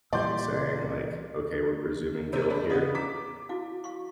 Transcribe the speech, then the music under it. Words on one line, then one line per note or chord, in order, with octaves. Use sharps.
like, saying, like, "Okay, we're presuming guilt here."
A#2 E3 G3 D5 C6 G6
C3 G#3 C#5
G#3 D4 B4
C#3 B3 F4 D#5 D#6
A#5 D6 B6
E4 F#4 F5
F5 C#6